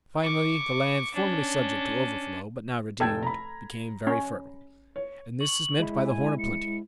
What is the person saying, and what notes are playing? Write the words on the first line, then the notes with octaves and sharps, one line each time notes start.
Finally, the lands formerly subject to overflow, but now redeemed, became very fertile, and this is meant by the horn of plenty.
C#6 D6
C#4 D4
F1 A4 G5 G#6
A#5 B5
C#4
C#5
C#6 F#7
G#3 E4
G#5
C#7